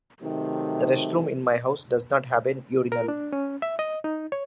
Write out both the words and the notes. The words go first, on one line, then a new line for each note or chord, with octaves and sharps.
The restroom in my house does not have a urinal.
C3 D#3 F#3 A3
A#4
D4
C#4
E5
D#5
D#4
C#5